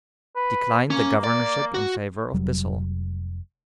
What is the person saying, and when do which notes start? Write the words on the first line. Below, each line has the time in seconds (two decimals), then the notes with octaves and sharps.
Declined the governorship in favor of Bissell.
0.36 B4
0.91 A#3 C#4
1.24 D5
1.74 F#4
2.34 F1 F#3 G3